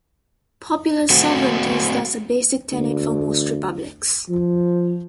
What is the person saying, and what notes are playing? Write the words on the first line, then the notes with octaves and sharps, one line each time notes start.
Popular sovereignty is thus a basic tenet of most Republics.
A3 C4 F#4
D2
F3